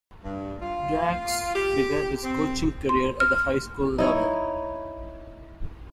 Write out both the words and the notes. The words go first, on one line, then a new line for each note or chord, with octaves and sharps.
Duax began his coaching career at the high school level.
G2
F4
G4
C4
C6
F6
D#4 E4 C#5